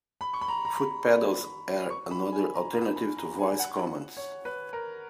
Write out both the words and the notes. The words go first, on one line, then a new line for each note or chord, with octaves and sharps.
Foot pedals are another alternative to voice commands.
B5
C#6
B5
A#5
A#5
B5
C#6
B5
G#5
A#5
B5
B5
A#5
G#5
F#5
C#5
B4
A#4